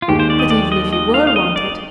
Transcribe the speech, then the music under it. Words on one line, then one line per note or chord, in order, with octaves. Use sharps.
"But even if you were wanted--?"
F4
D#2 D#3 G#3 G4
C5
D5
D#5
D5
D#5
D#5
F5
F5
D#5
D5